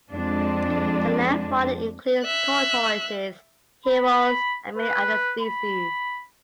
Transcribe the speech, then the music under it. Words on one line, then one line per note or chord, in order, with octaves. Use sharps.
The land fauna includes tortoises, herons and many other species.
F2 G#3 D4
E5 F#6
B5
B4
B5